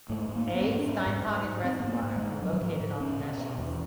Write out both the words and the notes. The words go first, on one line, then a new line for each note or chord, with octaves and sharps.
A. Steinhagen Reservoir are located on the Neches.
G#2 A3
G#2
A#3
G#2
B3
C4
G#2
D4
G#2 C#4
G#2
G#2
G#2
G#2 C4
G#2 B3
A#3
G#2
G#3
G#2
G#2 F#3
F#3
G#2 F3
G#2
G#2 C#4
B2
B2
E2